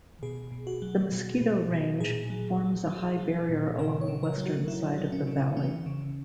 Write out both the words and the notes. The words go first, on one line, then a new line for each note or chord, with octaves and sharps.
The Mosquito Range forms a high barrier along the western side of the valley.
B2 G#4
B2
F#4
F#3
B2
B2
B2
A#2 G#4
F#3
F#3
F#3
F#3
A#2
C#3 A#4
C#5
C#3
A#4
F#3
F#4
F#3 E4
F#3
C#4
C#3
E3 C#4
C#3